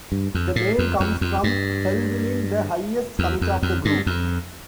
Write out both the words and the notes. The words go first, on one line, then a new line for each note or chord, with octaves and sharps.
The name comes from Helvellyn, the highest summit of the group.
G2
F2
A2
F2
F2
F2
G2
E2
F2
F2
G2
F2